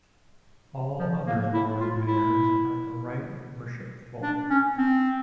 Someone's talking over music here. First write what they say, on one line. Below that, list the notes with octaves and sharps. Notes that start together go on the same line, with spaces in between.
All other Lord Mayors are The Right Worshipful.
F3
A#3
E4
F4
E4
D4
C#4
C4